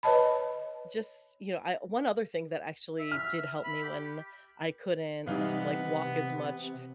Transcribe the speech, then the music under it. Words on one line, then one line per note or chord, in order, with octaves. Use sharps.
just, you know, I one other thing that actually did help me when I couldn't, like, walk as much,
B4 C#5 D#5 A5 B5
E5
F6
B5
G4
C3 E3 G3 B3 D#4 F5